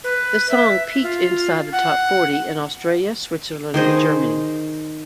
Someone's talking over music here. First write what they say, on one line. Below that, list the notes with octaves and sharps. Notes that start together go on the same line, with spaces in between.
The song peaked inside the top forty in Australia, Switzerland and Germany.
B4
E5
F4
F#5
D#3 G#4 C5 D#5